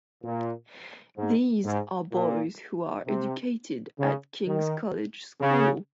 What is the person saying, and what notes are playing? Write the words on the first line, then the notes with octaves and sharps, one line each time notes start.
These are boys who are educated at King's College School.
A#2
G#2
G#2
A#2
C3
C#3
D#3
C#3